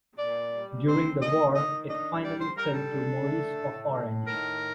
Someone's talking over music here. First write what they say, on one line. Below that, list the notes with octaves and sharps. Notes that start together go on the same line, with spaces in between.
During the war it finally fell to Maurice of Orange.
A#2 D5
G3
C4 C5
A#2 D#5
D#3 D#5
D4 D#5
G3 D5
C5
G3 A#4
A4
D4
A3
A2
A2
D#3 A#4